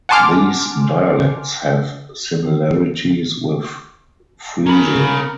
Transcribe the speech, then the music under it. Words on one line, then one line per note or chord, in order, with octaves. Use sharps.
These dialects have similarities with Frisian.
F#5 G#5 A5 C6 D6 F6
C#4 A#4 B5